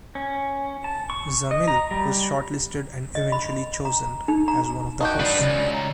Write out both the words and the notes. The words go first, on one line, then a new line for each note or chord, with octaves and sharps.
Zamil was shortlisted and eventually chosen as one of the hosts.
C#4
A5
C#6
D#5
A#5
G3
D#5
B5
A#5
D#4
A#5
D#4 F#4 G4 A5
D4 B4 D5
C#2
A#5